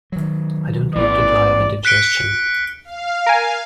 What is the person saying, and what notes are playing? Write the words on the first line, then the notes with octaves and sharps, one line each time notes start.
I don't want to die of indigestion.
D#3 F#3
A1 E3 B3 D5
F#6 B6 C#7 D7 G7
F5
A#4 G#5